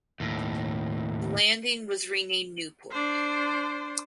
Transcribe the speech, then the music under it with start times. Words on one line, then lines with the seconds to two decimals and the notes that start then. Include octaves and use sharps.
The landing was renamed "Newport".
0.20 D#2 A2
2.91 D4 C5